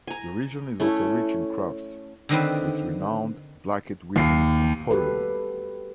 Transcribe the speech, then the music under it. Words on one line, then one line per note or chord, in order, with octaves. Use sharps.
The region is also rich in crafts, with renowned blanket-weaving and pottery.
G#5 A#5
A3 C#4 E4
D3 D#3 C4 B4
D#2 C7
F#4 G4 A4 B4